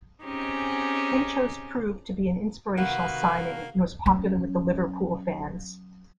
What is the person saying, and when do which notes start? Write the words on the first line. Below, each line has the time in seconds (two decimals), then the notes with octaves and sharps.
Henchoz proved to be an inspirational signing and was popular with the Liverpool fans.
0.23 C4 C#4 D#4 G4 G#4
2.78 C3 D#3 A#3 F#4 B4 F#5
4.06 F#3 C#4